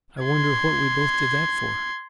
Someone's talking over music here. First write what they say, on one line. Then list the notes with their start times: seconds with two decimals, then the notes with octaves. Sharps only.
"I wonder what we both did that for?"
0.23 C6 G#6